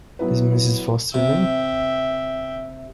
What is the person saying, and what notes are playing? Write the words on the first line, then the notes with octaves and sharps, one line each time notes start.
Is Mrs. Foster in?
F#3 B3 E4 B4
C3 E5 G5